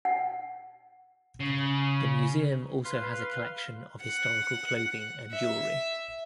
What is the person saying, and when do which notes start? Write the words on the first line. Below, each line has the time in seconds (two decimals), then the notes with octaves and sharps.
The museum also has a collection of historical clothing and jewellery.
0.05 F#5
1.40 C#3
2.84 B4 F5 C6
4.02 F#5
5.32 E5